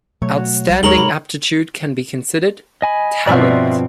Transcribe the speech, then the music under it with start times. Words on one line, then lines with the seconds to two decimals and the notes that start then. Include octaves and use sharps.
Outstanding aptitude can be considered "talent".
0.22 B2 F#3 A3 C#5
0.37 F#4
0.69 B1 G3
0.83 D#2 G#2 A#4 C#5 A#5 F#7 G7
0.98 C3 B5
2.82 D#5 G#5 B5
3.27 G2 B2 F3 C4 D5 E5 C6